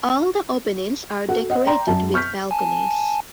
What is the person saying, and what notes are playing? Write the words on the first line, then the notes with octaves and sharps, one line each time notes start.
All the openings are decorated with balconies.
F#4 A4 F#5
D#5 F#5
D5 G5 A#5 C6
F#2 F#4 A5
C#6 F6 G6 B6
G#5 A5